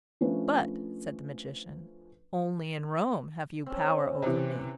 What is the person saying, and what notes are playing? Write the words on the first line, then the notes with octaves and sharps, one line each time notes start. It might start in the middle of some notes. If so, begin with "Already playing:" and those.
"But," said the magician, "only in Rome have you power over me."
F3 A3 C#4 D4 B4
C4 C#4
C3 E3